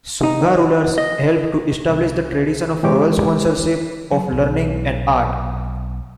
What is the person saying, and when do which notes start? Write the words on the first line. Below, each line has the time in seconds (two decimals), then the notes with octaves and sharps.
Shunga rulers helped to establish the tradition of royal sponsorship of learning and art.
0.23 D#4
0.98 D#5
1.89 C2 C3
2.83 E3 G#3 G4 C#5 D6
4.12 F#3
4.32 B1